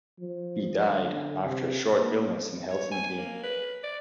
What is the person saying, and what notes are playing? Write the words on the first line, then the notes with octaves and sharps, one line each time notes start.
He died after a short illness in Helsinki.
F3
D3
C3
A#2
C#5
G#5
A#3
B4
D5